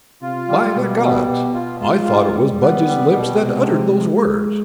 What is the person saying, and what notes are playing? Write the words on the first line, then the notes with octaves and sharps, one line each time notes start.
"By the gods, I thought it was Budge's lips that uttered those words."
C3 F4
G3
G#3
B2
G3 B3
B2
F4
G#3 F4
G3
G3
B3
G3
B2
C3 G#3